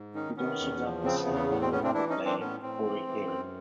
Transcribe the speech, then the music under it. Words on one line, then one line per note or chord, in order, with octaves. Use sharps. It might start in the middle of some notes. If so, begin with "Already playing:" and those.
He'd also done the same for another player, Corey Herring.
Already playing: G#2
D#3 C#4 D#4
D#3 B3 C#4
E2
F3
C#3 C4
B3
E2
B3
A2 B3
C4
A2 B3 C#4
C4 D4
E3 D4 E4
C#4 D#4
E3
C4 D4
A2 B3 C#4
A2 C4
E3
E3
F#2